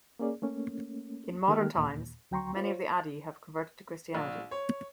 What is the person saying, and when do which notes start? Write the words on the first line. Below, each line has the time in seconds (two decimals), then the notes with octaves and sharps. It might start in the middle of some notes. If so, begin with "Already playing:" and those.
In modern times many of the Adi have converted to Christianity.
0.19 A#3 C#4 G#4 D5
0.42 A3 A#3 C#4
1.48 D#3 G#3 A#3 G4 A4 F6
1.75 D#2 A#2
2.31 D2 F#3 G5 A#5 C6 C#6
2.56 F4 C5 C#5
4.15 A#1
4.51 C#5